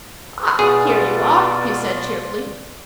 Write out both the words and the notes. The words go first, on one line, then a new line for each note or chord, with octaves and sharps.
"Ah, here you are," he said cheerfully.
B2 F4 G#4 D5